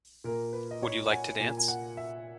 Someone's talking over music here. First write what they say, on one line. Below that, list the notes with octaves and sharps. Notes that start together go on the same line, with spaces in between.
Would you like to dance?
A#2 A#3 A#4
B4
D#5
C#5
F#5
G#5
A#2 A#3 G#5
G#5
F#5
E5